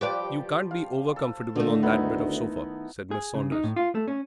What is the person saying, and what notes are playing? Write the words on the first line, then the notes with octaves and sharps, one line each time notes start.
"You can't be over-comfortable on that bit of sofa," said Mrs. Saunders.
F3 G3 G4 B4 D5
F5
A4
D3 D#3 A3
D2 B3 D#4 E4
G#4
C#3
D#4
A2
F4
A3
C#4